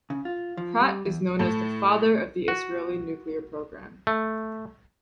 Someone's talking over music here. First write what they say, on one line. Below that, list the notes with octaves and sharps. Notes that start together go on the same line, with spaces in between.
Pratt is known as the "father" of the Israeli nuclear programme.
C#3
F4
F3
G3
E2
A2 A4
F#4
A3